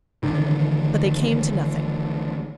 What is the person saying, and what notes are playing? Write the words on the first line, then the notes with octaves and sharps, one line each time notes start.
But they came to nothing.
A1 D3 D#3